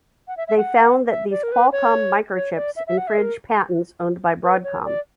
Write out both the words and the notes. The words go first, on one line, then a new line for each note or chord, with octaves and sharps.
They found that these Qualcomm microchips infringe patents owned by Broadcom.
F#5
E5
E5
F#5
E5
D5
A#4
B4
C#5
C#5
D5
E5
E5
F#5
E5
A#4
B4
C#5
D5